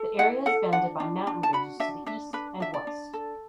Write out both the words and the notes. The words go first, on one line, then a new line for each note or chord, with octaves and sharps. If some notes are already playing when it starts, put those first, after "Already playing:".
The area is bounded by mountain ranges to the east and west.
Already playing: A4
E4 F#5
A4 F#5
D4 F#5
D4
D4
A5
F#4 B5
D4 E5
D4 E5
D4 B4
D4 E5
D5
D4
A4